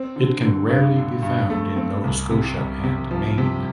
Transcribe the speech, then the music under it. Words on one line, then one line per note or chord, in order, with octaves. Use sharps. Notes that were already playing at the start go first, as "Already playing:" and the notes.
It can rarely be found in Nova Scotia and Maine.
Already playing: C4
D3
D3
G2
D3
G2
A3
C4
C2
C3
C2
C3
F3
C3